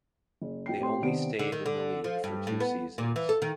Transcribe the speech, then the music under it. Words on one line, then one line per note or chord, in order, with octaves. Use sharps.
They only stayed in the league for two seasons.
F#1
B1 G5 C7
A2 C4 G4 G5 C6
C3 D#3 B3 C4 D4 D7
D3
D#3
D3
F3
G2
A2
B3
A#2
E3
A4
D#3